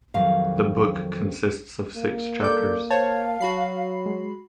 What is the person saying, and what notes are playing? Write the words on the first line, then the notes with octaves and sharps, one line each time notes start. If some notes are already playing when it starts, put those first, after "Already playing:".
The book consists of Six Chapters.
F2 D#3 F#3 G3 F5
A#3
A4 A#4 D5 D6 G6
C5 C#5 F5 A5
F#3 F#4 B5 C7
G#3